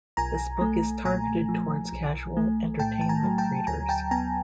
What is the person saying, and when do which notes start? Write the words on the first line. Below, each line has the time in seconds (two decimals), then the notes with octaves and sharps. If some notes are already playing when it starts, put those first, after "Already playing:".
This book is targeted towards casual, entertainment readers.
0.17 B1 G#5 A#5
0.61 A3
1.05 A#2 G#5 A#5
1.49 F3
1.92 B1
2.37 A3
2.79 A2 G5 A5
3.01 A5
3.09 G#5 A#5
3.23 F#3
3.38 G5 A5
3.67 D2 G#5 A#5
3.89 G5 A5
4.11 B3 G#5 A#5